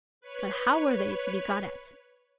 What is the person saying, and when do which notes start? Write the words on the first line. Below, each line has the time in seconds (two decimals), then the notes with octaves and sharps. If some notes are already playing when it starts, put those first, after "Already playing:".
But how were they to be got at?
0.21 B4 C#5